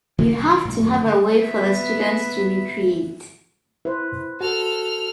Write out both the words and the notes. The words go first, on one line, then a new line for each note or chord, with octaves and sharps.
You have to have a way for the students to recreate.
D3 E3 F#3 A3
B1
D#3 F3
B1 G#2 A#3
F#2 D#3 F3 F#3
G2 D3 F3
B3 E5
E4 B4 C5
F#4 A4 F6